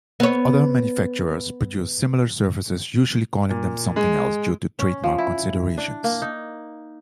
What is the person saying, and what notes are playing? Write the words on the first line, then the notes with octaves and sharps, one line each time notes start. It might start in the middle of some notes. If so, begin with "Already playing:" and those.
Other manufacturers produced similar services, usually calling them something else due to trademark considerations.
B3 C#5
A#2
G#3
C#4
F3
E4
D4
A#3
D#4